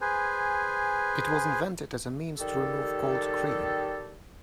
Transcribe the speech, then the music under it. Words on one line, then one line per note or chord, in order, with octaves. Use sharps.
It was invented as a means to remove cold cream.
G#4 B4 C5 G#5
D#3 G3 G4 A4